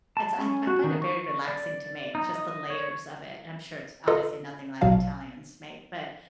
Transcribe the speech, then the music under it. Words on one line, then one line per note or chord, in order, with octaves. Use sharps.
it's I I find it very relaxing to make, just the layers of it, and I'm sure it's obviously nothing like Italians make, but
A5
C#4
F#4
D#3
C#6
D5
D#4
D#5
C#5
F4 A4 B4 D#5 A#5
A#1 B2 F#3 F5 A5